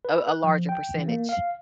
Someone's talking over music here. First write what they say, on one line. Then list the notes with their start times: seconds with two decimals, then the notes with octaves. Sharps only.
a a larger percentage.
0.05 B4
0.28 F#6
0.44 F3
0.69 G5
0.95 E3
1.08 A#3
1.29 F5